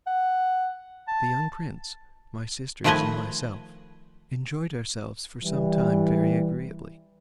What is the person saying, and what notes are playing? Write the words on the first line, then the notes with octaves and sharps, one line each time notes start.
The young prince, my sisters and myself, enjoyed ourselves for some time very agreeably.
F#5
A5
D#3 F3 A3 B4 D#5 G#5
E3 G3